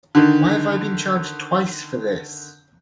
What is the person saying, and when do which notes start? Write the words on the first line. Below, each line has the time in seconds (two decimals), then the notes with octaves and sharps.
Why have I been charged twice for this?
0.15 D3 D#3